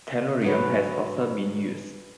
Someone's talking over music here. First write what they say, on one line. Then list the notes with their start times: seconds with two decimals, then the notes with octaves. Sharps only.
Tellurium has also been used.
0.42 G#2 D3 F#3 C#4 B4